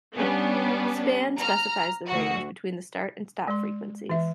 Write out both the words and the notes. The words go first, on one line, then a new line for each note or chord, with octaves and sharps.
Span specifies the range between the start and stop frequencies.
G3 B3 C#4 D4
A#5 F6
D2 F#4
G#3 C6
E3 E5